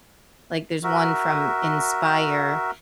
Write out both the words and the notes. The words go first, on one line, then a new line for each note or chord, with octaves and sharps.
like, there's one from Inspire
F#4 A#4 E5